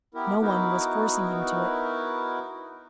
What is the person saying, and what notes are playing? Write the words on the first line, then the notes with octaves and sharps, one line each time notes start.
No one was forcing him to it.
B3 E4 G4 A#4
B3 D#4 E4 F#4 A#4 B4